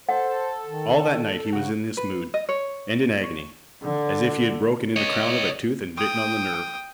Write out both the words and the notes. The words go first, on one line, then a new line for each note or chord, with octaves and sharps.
All that night he was in this mood, and in agony, as if he had broken in the crown of a tooth and bitten on the nerve.
A4 C5 F#5
D#3
C#3 F#4
B4
D#5
C#5
C#5
D3
C#5 D#5
G5 D#6